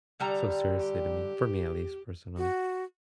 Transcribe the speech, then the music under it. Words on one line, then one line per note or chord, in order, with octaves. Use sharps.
so seriously to me for me, at least, personally.
D3 G3 A#5
G4
F#4